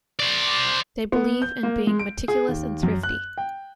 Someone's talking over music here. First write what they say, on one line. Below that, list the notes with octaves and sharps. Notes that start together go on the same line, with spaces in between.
They believe in being meticulous and thrifty.
C5 D5
B3
G6
A#3
G#3
D7
G#4
D#2
F#2
F#6
G5